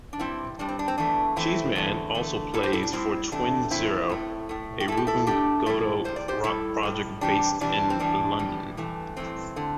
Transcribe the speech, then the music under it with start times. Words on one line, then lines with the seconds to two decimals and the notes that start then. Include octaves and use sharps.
Cheeseman also plays for Twin Zero, a Reuben Gotto rock project based in London.
0.13 D4
0.19 G2 G3 C4 E4
0.59 G2 G3 D4
0.68 C4
0.79 D4
0.88 C4
0.98 E2 E3 A3 D4
1.36 E2 E3 A3 C4 E4
1.76 E2 D3 A3
2.15 E2 D3 A3
2.53 A2 G3 E4 A4
2.63 G4 C5
2.73 E4 A4
2.83 D4
2.93 A2 G3 C4 E4
3.32 E2 C3 A3 D4
3.70 E2 C3 A3 C4 E4
4.09 A2 A3
4.49 A2 A3
4.80 G4
4.88 A2 A3 E4 A4
4.97 G4
5.07 E4 A4
5.26 A2 A3 D4 G4
5.66 C3 E3 G3 E4 A4
6.04 C3 E3 G3 C5
6.16 D5
6.28 G4 C5
6.44 A2 G3 E4 A4
6.83 A2 G3
7.21 C3 E3 G3 D4 G4
7.61 C3 E3 G3 D4
7.90 C4
7.99 A2 E3 G3 D4
8.39 A2 E3 G3
8.77 G2 E3 A3
9.17 G2 E3 A3 C4
9.56 D3 A3